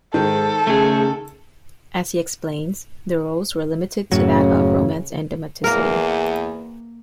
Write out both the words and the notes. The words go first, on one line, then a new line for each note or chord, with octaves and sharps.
As he explains, their roles were limited to that of romance and domesticity.
G#2 D#3 A4
C#3 A3 G#4
F#2 A2 C#3 F#3
E2 A#3 A#4